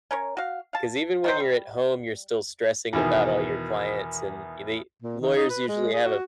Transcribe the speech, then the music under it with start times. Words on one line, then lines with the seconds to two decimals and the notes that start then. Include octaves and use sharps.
'cause even when you're at home, you're still stressing about all your clients, and they lawyers usually have a
0.11 C#4 A#4 C#5
0.37 F#4 F5
0.73 F5 A5
1.24 D#3 F#3 C5
1.40 G3
2.93 E2 B2 D#3
5.03 A#2
5.21 D#3
5.36 D#4
5.50 B4
5.68 G#3
5.93 G#4
6.05 F#4